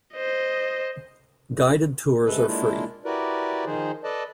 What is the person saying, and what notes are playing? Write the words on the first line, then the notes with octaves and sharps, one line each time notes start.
Guided tours are free.
C5 D#5
C3 G#3 A4 B4
G#3 A#3 D4 E4 F4
E4 F#4 G4 A#4 B4 D5
D#3 F3 D#4 G#4 C5
A4 B4 D5 D#5 A5